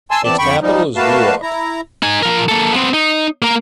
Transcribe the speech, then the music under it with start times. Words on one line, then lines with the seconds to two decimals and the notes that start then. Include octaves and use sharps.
Its capital is Wewak.
0.11 G#5 A5 C6 E6
0.24 E2 E3 C4 D5 A5
0.38 F2 D3 G5 B5 C#6
0.62 F3 G3 D#4
0.96 A3 A#3 F#4 B4 F5 A5
1.42 E4 A#5
2.03 D#4 G#5
2.23 F3 A#4
2.48 A#3 A4
2.73 B3 C4
2.94 D#4
3.42 A#3 A#4